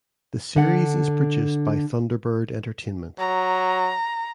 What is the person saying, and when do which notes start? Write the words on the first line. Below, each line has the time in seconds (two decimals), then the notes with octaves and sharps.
The series is produced by Thunderbird Entertainment.
0.56 D3 F#5
3.19 F#3 A#5